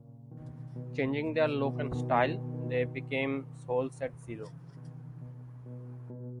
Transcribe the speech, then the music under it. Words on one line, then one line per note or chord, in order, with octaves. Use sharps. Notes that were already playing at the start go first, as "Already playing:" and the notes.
Changing their look and style, they became Souls at Zero.
Already playing: A#2 C#3
B2 D#3
B2
A#2
B2
B2 D#3
B2 D#3
B2 D#3
B2 D#3
C#3 E3
B2 D#3
B2
B2
B2